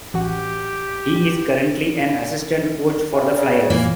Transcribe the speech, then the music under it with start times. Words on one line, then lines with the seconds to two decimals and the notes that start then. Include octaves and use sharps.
He is currently an assistant coach for the Flyers.
0.14 A1 F#4 G4 F#5
3.13 C3
3.36 C#3
3.70 A#2 E3 A#3